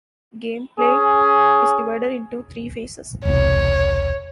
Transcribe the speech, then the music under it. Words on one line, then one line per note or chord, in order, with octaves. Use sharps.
Gameplay is divided into three phases.
C#4 G#4
E1 C2 C#5